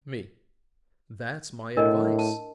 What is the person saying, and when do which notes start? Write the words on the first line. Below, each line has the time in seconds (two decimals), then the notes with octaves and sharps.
ME: That's my advice.
1.77 A2 D4 A#4 D#5
2.19 A5